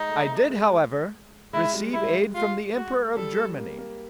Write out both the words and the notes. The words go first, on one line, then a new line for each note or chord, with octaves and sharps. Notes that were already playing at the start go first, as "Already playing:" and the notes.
I did, however, receive aid from the Emperor of Germany.
Already playing: G#3 D#4
A3
A3
G#3
G#3 E4
G3
G#3 E4
G#3
F4
F#4
G3 A4
A#3
A#3